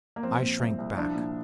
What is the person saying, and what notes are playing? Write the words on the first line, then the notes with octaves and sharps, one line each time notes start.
I shrank back.
A#3
F3 C4
A#2
C2
C2
F3 D4
A#2